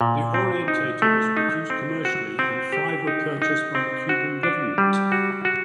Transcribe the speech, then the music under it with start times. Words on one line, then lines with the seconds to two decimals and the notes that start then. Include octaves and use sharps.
The Orientator was produced commercially and five were purchased by the Cuban government.
0.01 A#2
0.34 C4
0.68 D#4
1.02 A3
1.37 D#4
1.70 C4
2.05 F#4
2.39 C4
2.72 G4
3.07 D#4
3.42 D#4
3.75 C4
4.09 F#4
4.43 D4
4.78 G3
5.12 F#4
5.45 F#4